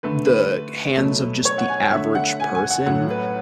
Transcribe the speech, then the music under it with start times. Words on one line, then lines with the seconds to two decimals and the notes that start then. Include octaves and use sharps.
the hands of just the average person
0.03 D3 A3 B4
0.26 B4
0.97 B2 F#3 A3
1.45 C#5
1.58 F#5
1.68 G#5
1.82 F#5
1.92 D3 A3 E5
2.15 F#5
2.40 G#5
2.55 G#5
2.70 F#5
2.86 A2 F#3 A3 F#5
3.10 B4